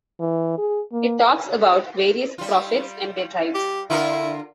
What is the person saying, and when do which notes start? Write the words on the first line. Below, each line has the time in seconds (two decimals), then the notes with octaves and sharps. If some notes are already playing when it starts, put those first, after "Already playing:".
It talks about various prophets and their tribes.
0.20 E3
0.58 G#4
0.92 A#3
2.38 G3 F4
3.55 G4
3.90 D3 E4 F4 A#4